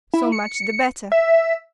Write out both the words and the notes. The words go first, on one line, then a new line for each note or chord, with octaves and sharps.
'So much the better.'
E4
C#7
E5